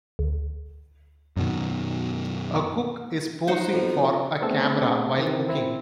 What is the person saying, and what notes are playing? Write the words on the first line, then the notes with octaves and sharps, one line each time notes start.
A cook is posing for a camera while cooking.
D2
F#2 B2 D#3
D#4 C5 F#5
F2 B2
A3 B3 C4 D4 G#4 A4
D#3 E3 C4
C4 E4